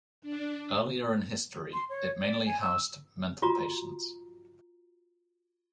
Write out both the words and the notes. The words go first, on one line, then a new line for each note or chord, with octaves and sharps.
Earlier in history, it mainly housed mental patients.
D4
C6
C#5
D5
G#5
E6
F4 F#4 A#5